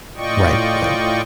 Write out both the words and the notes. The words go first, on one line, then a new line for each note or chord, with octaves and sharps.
Right, right.
A2 F4 D5 D#5 G5 C#6